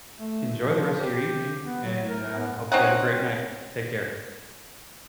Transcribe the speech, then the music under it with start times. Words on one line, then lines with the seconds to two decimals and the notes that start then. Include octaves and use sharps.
enjoy the rest of your evening and, uh, hope you have a great night. Take care.
0.19 A3
0.61 F3
0.99 G4
1.65 B3
1.84 F#3
2.08 A#4
2.36 B3
2.72 C4 C#4 D#4 F#5